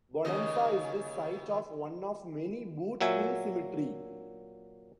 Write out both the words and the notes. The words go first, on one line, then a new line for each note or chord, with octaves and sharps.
Bonanza is the site of one of many Boot Hill Cemetery.
D#2 C#3 D#5
A#2 F#3 E5 G#5